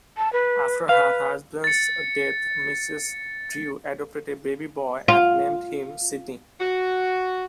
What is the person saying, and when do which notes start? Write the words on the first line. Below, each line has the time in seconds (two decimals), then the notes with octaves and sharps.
After her husband's death Mrs Drew adopted a baby boy and named him Sidney.
0.17 A5
0.33 B4
0.89 B4 F5
1.64 A6 C#7
5.08 F4
6.60 F#4